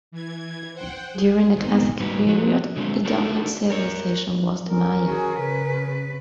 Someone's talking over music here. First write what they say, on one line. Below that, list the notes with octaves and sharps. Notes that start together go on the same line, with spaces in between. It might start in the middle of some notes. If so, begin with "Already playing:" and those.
During the Classic period the dominant Civilization was the Maya.
E3 G#6
C5 F#5 G5
G#4
G#2 B2 D#3 B3 C4 D#4
G#2 G3 A#3 D#4 F#4 B4
F3 F#4
D3 F#3 G#3 A3 C4
D4 D#4 F#4 A4 A#4
A#4 C#5
C#4 A#4
F#4 G#4
C#3 B4